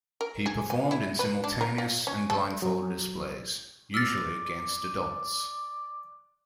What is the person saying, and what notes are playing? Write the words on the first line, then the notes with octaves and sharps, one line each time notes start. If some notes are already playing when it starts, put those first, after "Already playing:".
He performed in simultaneous and blindfold displays, usually against adults.
A#4
G#4
G#5
E4
B4
D4
A#4
F4
C#4
A4
F#3
D5 E6 F6 A6